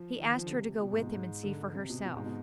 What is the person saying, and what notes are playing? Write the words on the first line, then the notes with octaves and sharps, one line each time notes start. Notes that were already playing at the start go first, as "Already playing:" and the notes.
He asked her to go with him and see for herself.
Already playing: F3
D#3
F3
D3
C3
B2
G#2
B2
G#2
D3
C3
B2
B2
G#2
B2